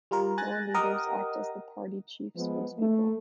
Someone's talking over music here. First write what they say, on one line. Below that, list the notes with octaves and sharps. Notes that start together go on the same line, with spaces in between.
Floor leaders act as the party chief spokespeople.
G3 F4 A#4
G#5 F#6 A6 A#6
G4 A#4 D#5 F#5 D#6
F3 G#3 B3
A3